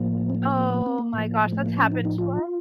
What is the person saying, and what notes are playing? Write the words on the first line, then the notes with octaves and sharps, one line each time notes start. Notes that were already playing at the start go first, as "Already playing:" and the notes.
Oh my gosh, that's happened to us?
Already playing: A2 F3 A#3
C4
A#3
A#3
C4
A#3
A2 F3
A3
A#3
C#4
D#4
D#4
F4